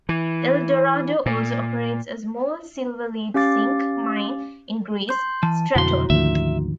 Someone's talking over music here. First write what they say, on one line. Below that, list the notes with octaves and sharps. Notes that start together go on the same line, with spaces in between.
Eldorado also operates a small silver-lead-zinc mine in Greece: Stratoni.
E3
A#2
C#4 G4 F5 D6 A6
C6 G6
E3 A5
B1 F2 D3 E4 F#4 C6
D2 G#2 D#3 F3 E5